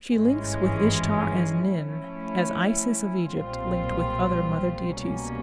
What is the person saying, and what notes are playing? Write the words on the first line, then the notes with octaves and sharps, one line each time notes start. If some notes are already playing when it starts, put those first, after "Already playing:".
She links with Ishtar as Nin, as Isis of Egypt linked with other mother deities.
G#1 G2 E3 G#3 C#4
F3 A3 C#4 E4
B1 A#2 G3 C4 F4
C2 B2 G3 A#3 C#4